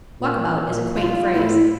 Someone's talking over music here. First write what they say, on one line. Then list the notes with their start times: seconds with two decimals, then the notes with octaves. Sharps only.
Walk about is a quaint phrase.
0.21 A#2
0.58 A#2
0.97 F4
1.34 A2 E4